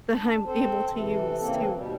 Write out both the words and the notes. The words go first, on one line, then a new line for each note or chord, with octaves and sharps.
that I'm able to use to
D4
C4 A4 C5
C3 E3 A4
C#3 E3 A#3 C4 A4
D#2 B2 G3